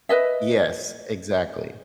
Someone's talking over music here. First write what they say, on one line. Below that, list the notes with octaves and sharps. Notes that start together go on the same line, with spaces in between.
Yes, exactly.
B4 D#5 E5